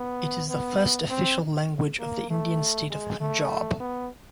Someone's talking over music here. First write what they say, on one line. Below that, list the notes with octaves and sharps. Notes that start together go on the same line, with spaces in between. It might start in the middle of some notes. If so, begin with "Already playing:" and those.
It is the first official language of the Indian State of Punjab.
Already playing: B3
B3
C4
A#3
A3
G#3
A3
B3